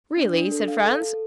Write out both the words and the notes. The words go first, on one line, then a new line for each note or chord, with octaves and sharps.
"Really?" said Franz.
D4
D4
A4
F5
A4
A4